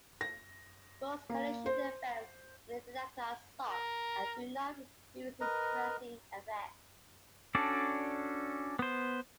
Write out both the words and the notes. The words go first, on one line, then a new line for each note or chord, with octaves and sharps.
Most collision events in the detector are "soft" and do not produce interesting effects.
A#6
A#3
C5
A#4
A#4 B4 D#5 A#5
C#4 D4 F#4 A4 D5
B3 C5